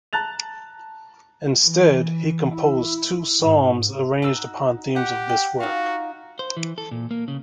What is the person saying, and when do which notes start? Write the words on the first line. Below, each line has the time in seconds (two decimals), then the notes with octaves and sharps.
Instead, he composed two psalms arranged upon themes of this work.
0.13 A5 A#5 F#6 A6 F7
1.63 E3
2.53 E4
3.40 G#2
4.22 D#4 F#4 E6
4.96 G4 F#5
5.30 G5
5.60 D#4 F4 F#4 F5
6.39 C5
6.57 E3
6.78 A4
6.91 A#2
7.11 A#3
7.28 C#3